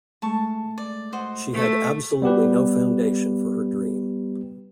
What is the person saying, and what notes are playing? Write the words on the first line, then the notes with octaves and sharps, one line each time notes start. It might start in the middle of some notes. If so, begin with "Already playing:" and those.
She had absolutely no foundation for her dream.
G#3 A3 A5 C#6
D5
F#4 C5 D#5
A3
G3 B3 G4 B4